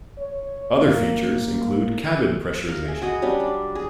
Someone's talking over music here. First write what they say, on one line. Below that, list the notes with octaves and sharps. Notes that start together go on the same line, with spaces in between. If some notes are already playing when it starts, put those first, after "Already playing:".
Other features include cabin pressurization.
C#5
A#3
A#4 F5
G#4 E5
F#4 G#4 D#5 B5
F#3 G3 C#4 D4
D5
G#4